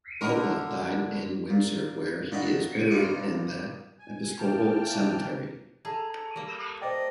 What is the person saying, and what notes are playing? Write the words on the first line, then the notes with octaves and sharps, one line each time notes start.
Outlaw died in Windsor, where he is buried in the Episcopal Cemetery.
D3 A#4
A#2
A#2 D4 F#4 D#5 G5 B5
B1 G2 A#2 G#3 F4 C5
G#5
A2 E3 A#3 G5 A5 F6
G#4 A4 A#5
G3 A#3
C5 D5 D#5 G5